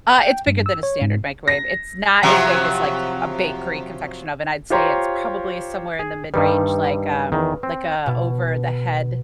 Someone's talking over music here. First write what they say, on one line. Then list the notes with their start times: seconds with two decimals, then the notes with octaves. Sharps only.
Uh, it's bigger than a standard microwave. It's not as big as, like, a bakery confection oven. I'd say it's probably somewhere in the mid-range, like, um like, a over the head,
0.18 G5
0.47 G2
0.66 E6
0.83 C#5
1.02 G#2
1.48 A#6
2.23 C3 F3 F#3
4.70 F4 G4 C5 C#5 A#5 C6
5.99 G#4
6.34 G2 D#3 G3 B4
7.32 E2 D#3
7.63 C4
8.06 B2